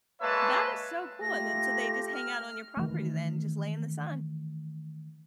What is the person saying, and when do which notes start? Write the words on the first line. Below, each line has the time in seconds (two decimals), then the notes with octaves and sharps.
That is so cool, and then so they just hang out on your property then, just lay in the sun.
0.21 G#3 A#3 B4 C#5 E5 A5
1.22 A3 F4 G4 A#6
2.13 F6
2.77 D#3 E3 A3